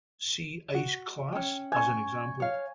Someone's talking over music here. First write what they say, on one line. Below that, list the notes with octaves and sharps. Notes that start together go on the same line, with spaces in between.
See Ice class as an example.
F#4
C#4 G5
G#5 C#6
C#5 F5